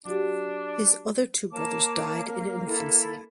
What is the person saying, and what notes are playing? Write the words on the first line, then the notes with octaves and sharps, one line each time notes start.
His other two brothers died in infancy.
F#3 D4 F#4 G4
A#3 C#5 A5 D6
E4 A4